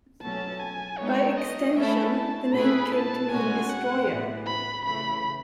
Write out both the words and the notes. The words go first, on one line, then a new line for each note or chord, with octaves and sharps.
By extension, the name came to mean 'Destroyer.
B2 F#3 A3 C#4 A5
G#5
G#3 B3 D#4 A4 C#5
D#5
A3 C#4 E4 A4 E5
A5
B2 A3 E4 G#4 B4 B5
A5
B2 G#3 C#4 F#4 G#5
F#5
A2 E3 B3
B5
C#3 E3 A3 B5